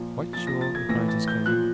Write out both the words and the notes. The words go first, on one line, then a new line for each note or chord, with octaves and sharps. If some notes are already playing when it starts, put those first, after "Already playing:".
'Quite sure,' replied his cousin.
Already playing: A#2 F3
A#2 F3 A6
A#6
A6
G#6
A2 E3 A#6
A6
G6
A#2 F3 F#6